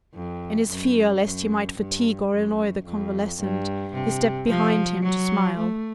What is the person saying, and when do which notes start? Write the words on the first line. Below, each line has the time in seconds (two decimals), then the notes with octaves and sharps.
In his fear lest he might fatigue or annoy the convalescent, he stepped behind him to smile.
0.15 F2
0.69 F#2
1.23 F#2
1.78 G2
2.32 F#2
2.86 F2
3.40 G2
3.94 C3
4.49 F3
5.03 F#3
5.58 A3